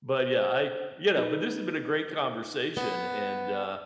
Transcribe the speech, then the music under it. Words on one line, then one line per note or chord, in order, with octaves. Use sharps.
But, yeah, I, you know, but, this has been a great conversation and, uh,
C5
D#4 B4
B3